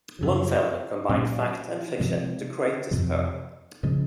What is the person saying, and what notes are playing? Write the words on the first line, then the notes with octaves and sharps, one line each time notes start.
Longfellow combined fact and fiction to create this poem.
F#2 C#3 F3
A#2 F#3 C#4
C3 F3 G#3
F2 C3 F3
C#3 F3 G#3